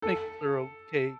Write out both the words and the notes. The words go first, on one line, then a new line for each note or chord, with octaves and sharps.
make us our own cake
A4